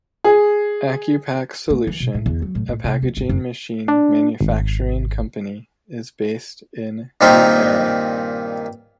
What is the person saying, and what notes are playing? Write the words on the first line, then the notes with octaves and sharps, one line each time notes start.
Acupack Solution, a packaging machine manufacturing company, is based in New Era.
G#4
A3
E3
B2
A2
E2
F#3
A2
A2
C3
F2
G#1
F#1
D4
G#1
G2 A#2 D#3 C4 D#4 F4